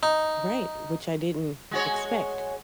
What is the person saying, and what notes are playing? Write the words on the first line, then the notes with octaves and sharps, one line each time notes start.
Right, which I didn't expect.
D#4
G#3 F#4 C#5